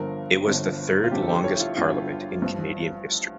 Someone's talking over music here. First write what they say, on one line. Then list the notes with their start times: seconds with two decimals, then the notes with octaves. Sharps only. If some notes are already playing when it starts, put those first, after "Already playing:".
It was the third longest parliament in Canadian history.
Already playing: G1 G2 D3 F3 A#4
0.47 G1 G2 D3 F3
1.04 F4
1.11 G1 G2 D3 F3 G4
1.22 A4
1.28 G4
1.44 C#5
1.56 E4
1.60 F4
1.77 G1 G2 D3 F3 F4
2.41 A1 G2 F3